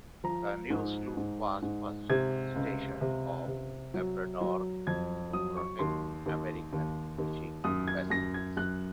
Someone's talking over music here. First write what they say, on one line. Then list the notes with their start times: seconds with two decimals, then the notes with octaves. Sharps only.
The new sloop was first stationed off Labrador to protect American fishing vessels.
0.24 F3 A#5
0.70 G#2
1.17 G#2
1.62 G#2
2.10 C3 G#6
2.55 C#2
3.01 C3
3.48 C3
3.94 F#3
4.41 F#3
4.87 F2 G#6
5.33 F#3 D#6
5.57 C#6
5.79 D#2 C6
6.26 D#2
6.73 D#2
7.18 D#2
7.64 F#2 D#6
7.87 G#6
8.10 F#2 A#6
8.34 G#6
8.57 F#2 F#6